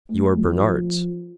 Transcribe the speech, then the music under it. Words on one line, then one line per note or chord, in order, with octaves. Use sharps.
"You are Bernard's."
A3
F3